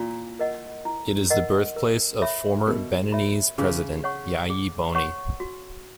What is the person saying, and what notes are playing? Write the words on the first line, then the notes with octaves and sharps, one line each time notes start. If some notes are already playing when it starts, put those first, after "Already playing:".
It is the birthplace of former Beninese president Yayi Boni.
Already playing: A#2 E4
A#4 D#5 F#5
E4
A#4 D#5 F#5
A#4
C#5 E5 B5
B2 A#4
C#5 E5 B5
C#3 G#4
C#5 F#5 C#6
G#4
C#5 F#5 C#6
F#4